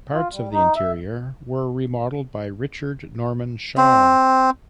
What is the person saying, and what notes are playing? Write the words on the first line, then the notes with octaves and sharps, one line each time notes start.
Parts of the interior were remodelled by Richard Norman Shaw.
F4
G3
D#4
E5
C4